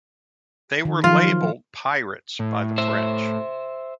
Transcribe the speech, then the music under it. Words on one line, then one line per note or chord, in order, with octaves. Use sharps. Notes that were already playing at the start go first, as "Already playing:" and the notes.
They were labelled "pirates" by the French.
D#3
F3 F#3 F4
A2
C5 E5